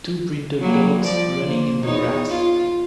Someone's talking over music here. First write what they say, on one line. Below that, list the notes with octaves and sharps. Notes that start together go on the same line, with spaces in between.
Two brindle dogs running in the grass.
F#3 G3 A#3
F3 D5
A#3 C5
E2 D#4 C#5
F4